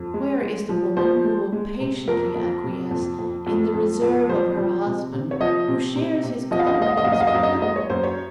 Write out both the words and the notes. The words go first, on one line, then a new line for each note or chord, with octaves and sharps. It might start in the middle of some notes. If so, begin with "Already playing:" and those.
Where is the woman who will patiently acquiesce in the reserve of her husband who shares his confidence with another?
Already playing: F2
G#3
G#3
F3
F3 C5
G#3
G#3
C3
F2 A#4
F2
C3
F2
F2
F2
F2
F2
F3 C5
F3
C3
C3
C#5
F3 D#5
C3
C3
C3
F3 D#5
F5
D#5
F5
G#3 D#5
F5
D#5
F#2 F5
D#5
F5
D#5
F#2 F5
D#5
G#3 D#5
C#5
F#2 C5
C#5